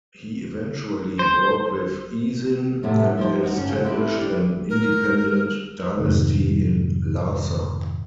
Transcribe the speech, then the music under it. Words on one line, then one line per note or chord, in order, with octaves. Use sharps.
He eventually broke with Isin and established an independent dynasty in Larsa.
C5
A2 C3 E3 F#3 A3
F3 D#4 G4 C5
D#4 F#4
G2 C#3 C#4
C4 D4 E4 F4 G4 B4
G3 D4
A#4
F2 G#2 C3 D#3